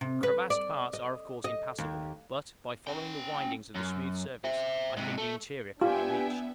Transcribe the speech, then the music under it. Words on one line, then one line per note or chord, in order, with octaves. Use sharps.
The crevassed parts are of course impassable, but, by following the windings of the smooth surface, I think the interior could be reached.
C3
B4
D5
D#5
D#5
D#2
C#4 G5
F#2
C5 E5
G#2 C3
A3
B3 D4 F4 G4 E5 G5 G#5